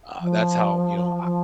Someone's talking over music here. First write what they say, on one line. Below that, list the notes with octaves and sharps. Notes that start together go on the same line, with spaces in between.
uh, that's how, you know, I
F3
F3